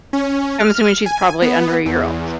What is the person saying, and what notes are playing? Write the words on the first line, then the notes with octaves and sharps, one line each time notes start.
I'm assuming she's probably under a year old.
C#4
F6
G#5
B3
E2